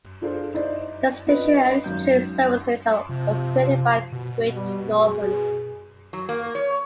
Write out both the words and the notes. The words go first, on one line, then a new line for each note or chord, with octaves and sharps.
The station and its train services are operated by Great Northern.
D4 F4 G#4 A4 C5
D#4 E4 C5 D5
C4 D4 F4 B4 D#5
G#1 F#2 G6
C3 F3
B2
G3
G#4
F#3
A#3
C#5